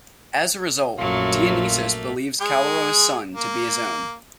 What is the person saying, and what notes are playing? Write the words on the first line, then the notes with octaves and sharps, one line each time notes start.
As a result, Dionysius believes Callirhoe's son to be his own.
A#1 F#2 F#3 A3 A#3 F4
G#3 G#4
A#3